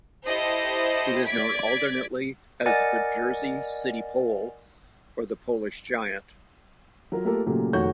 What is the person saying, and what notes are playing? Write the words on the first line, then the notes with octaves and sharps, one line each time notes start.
He was known alternately as the Jersey City Pole or the Polish Giant.
E4 G4 A4 C5 D#5
D5 G#6 B6 D7
A#4 D5 D#5 F#5 G#5 A6
F#3 F4 A#4
A3 A#3 F4 G4 A4 A#4
A#2 C#3 F#3 A3 A#3 G4
F1 D#3 F#4 C#5 C#6 G6